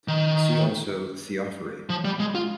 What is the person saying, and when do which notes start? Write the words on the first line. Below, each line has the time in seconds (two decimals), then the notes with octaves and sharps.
See also Theophory.
0.08 D#3
1.90 F3
2.05 G3
2.20 G#3
2.35 F4